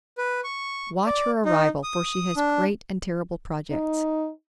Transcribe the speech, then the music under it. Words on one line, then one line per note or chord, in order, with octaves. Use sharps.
Watch her arrival, for she has great and terrible projects.
B4
C#6
D5
D#4
D#6
D4
D#4